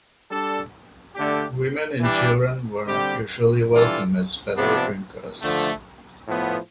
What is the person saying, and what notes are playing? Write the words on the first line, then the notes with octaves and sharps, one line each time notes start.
Women and children were not usually welcome as fellow drinkers.
G3 D4 A4
D3 A3 D4 G4
E3 G3 D4
D3 G3 C4 G4
E3 G3 D4 F4 A4
C3 F3 B3 D4
D3 F3 A3
A2 F3 B3